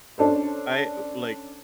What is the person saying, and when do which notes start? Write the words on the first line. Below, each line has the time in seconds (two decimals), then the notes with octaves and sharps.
I, uh, like,
0.18 C#4 D4 A4 C5